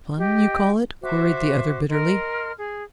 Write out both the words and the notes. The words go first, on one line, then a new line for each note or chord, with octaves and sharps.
"Fun, you call it?" queried the other bitterly.
G4 D#5 G5
F#4 C5 E5 D6
A#4 D#5 C6 F6
G#4